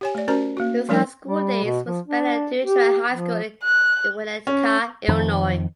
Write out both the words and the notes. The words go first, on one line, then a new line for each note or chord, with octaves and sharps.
His high school days were spent at New Trier High School in Winnetka, Illinois.
G4 C#5 G#5
A3 D5
C#4 F#4 A#4 C5 D5 A#5
A#3 F#4
F3 G3 A3 C#4 D#4 A#4
G3
B2
F3
D4
G4
F3
F#6
C#4
F2 D#3 F3